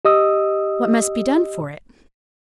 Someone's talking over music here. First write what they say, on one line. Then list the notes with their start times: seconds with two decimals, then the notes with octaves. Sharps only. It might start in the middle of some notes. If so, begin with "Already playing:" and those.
"What must be done for it?"
0.05 G4 D#5 D#6 E6